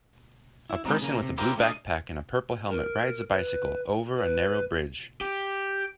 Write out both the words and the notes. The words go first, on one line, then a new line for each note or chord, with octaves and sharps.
A person with a blue backpack and a purple helmet rides a bicycle over a narrow bridge.
E4
G3 G#3 B3 C4 D#4 F#4
C#3 A#3
C3
E4 F4 G4 A#4 C5
A3 D4 D#5 F5
A#4
B4
B4
G4